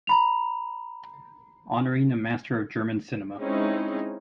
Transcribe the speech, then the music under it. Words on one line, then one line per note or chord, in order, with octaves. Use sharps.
Honoring a master of German cinema.
A#5 B5 F7
G#3 C4 C#4 D#4 E4